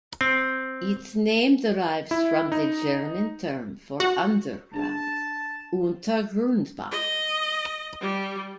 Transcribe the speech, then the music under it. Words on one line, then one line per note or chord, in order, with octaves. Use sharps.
Its name derives from the German term for underground, Untergrundbahn.
C4
E4
D#4
F#4
D4 G#4 A5
D#5
G3